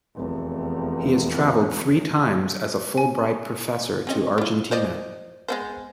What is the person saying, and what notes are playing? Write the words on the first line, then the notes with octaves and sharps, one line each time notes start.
He has travelled three times as a Fulbright professor to Argentina.
F1 E2
G#5
C4 C#4 D#5
E4 F4
C5 D5 D#5
G#3 B3 C5